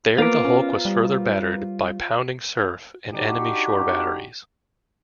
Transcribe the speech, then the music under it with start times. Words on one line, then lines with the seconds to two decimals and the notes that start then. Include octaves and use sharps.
There the hulk was further battered by pounding surf and enemy shore batteries.
0.18 A#3 B3 F4 A#4 C5 D6
0.45 C#4
0.85 G3
3.13 D4 D#4 F#4 G4